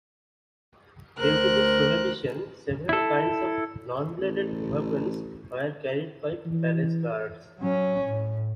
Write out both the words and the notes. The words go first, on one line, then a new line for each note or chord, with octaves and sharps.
Due to this prohibition, several kinds of non-bladed weapons were carried by palace guards.
D2 A#4 C5 F#6
E4 A4
A1
E3
F#3 C#4
A2